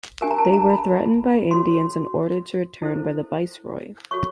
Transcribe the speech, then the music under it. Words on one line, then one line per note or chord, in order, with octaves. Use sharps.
They were threatened by Indians and ordered to return by the viceroy.
D4 G4 A#4 G#5
A#5
A5
A#5
B5
F#4 A4 C#5 C6
E4 A4 C5
F#4 A4 C#5 C#6